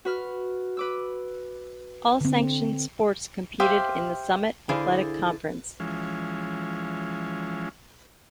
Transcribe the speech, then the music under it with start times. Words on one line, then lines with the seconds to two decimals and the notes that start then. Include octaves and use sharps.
All sanctioned sports competed in the Summit Athletic Conference.
0.05 F#4 B4 F6
0.77 B4 D6 E6
2.21 D3 C4
3.60 G4 C5 E5 F5
4.69 D3 E4 G#4 C5 F5 G#5
5.80 E3 F3 G#3 C#4